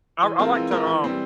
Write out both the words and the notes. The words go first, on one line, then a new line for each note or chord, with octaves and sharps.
I I like to, um
E3
G#3 C4 F4 A#4
E3
G#3 C4 F4 A#4
E3
G3 C4